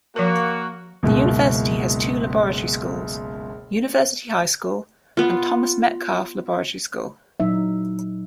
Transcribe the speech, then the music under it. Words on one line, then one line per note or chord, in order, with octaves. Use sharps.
The university has two laboratory schools: University High School and Thomas Metcalf Laboratory School.
F3 A#3 F#4 A#4
F#1 C#2 B2
B3 F4
A#2 F#3 D#4 E5